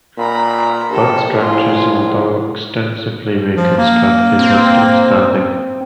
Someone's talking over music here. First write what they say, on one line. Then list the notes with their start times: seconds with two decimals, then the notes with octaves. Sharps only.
Both structures, although extensively reconstructed, are still standing.
0.18 A#2 A#5 B5
0.91 A#1 G4 A4
1.40 A2 F4 G#4
3.56 F3
3.78 A#3
4.39 C4